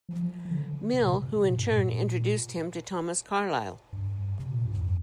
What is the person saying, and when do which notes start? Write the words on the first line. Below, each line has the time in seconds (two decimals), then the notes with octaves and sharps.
Mill, who in turn introduced him to Thomas Carlyle.
0.09 F3
0.45 F3
0.51 D3
0.94 C3
1.02 A#2
1.10 C3
1.36 C3
1.47 A#2
1.57 G2
1.67 A#2
3.93 G2
4.39 C3
4.51 A#2
4.65 G2
4.77 F2